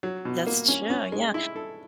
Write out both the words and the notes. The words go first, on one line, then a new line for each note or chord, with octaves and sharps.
that's true, yeah,
F#3
B2
A#3
C#4
C#4
G#3
E4
A4